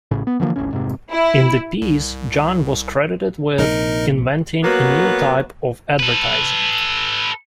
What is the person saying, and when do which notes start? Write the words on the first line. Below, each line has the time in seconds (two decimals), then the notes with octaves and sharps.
In the piece John was credited with inventing a new type of advertising.
0.11 A1 A2 C#3
0.27 B3
0.40 D3 E3 F3 A#3
0.56 D#1 A1 A2 C#4
0.71 F1 G#2 C3
1.12 E4
1.82 C2
3.58 A#1 C3 D#4 A#4 D#5
4.64 F#3 A#3 B3 F#4 B4
5.99 A4 B4